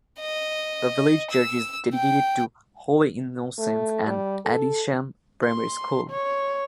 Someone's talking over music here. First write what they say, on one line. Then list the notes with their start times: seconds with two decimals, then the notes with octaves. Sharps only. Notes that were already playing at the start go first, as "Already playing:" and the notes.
The village church is dedicated to "Holy Innocents" and Adisham primary school.
0.20 D#5
1.31 E6
1.95 G5
3.59 A3
4.07 G3
4.45 A4
5.44 C6
6.10 C#5